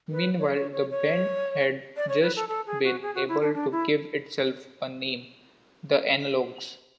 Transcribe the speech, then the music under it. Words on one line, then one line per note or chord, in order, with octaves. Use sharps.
Meanwhile, the band had just been able to give itself a name: The Analogs.
B4
C#5
C#5
C#5
C#5
D5
C#5
B4
A4
A4
G#4
F#4
G#4
F#4
E4
D4
D4
E4